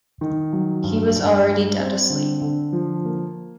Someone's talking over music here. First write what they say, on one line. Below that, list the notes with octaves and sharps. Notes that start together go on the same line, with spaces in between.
He was already dead asleep.
D#3
F#3
G2
G2
G3
C4
D3
D3
F3
A#3